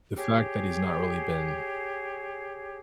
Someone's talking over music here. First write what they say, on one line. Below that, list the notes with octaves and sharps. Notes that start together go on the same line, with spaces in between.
the fact that he's not really been
G4 G#4 C#5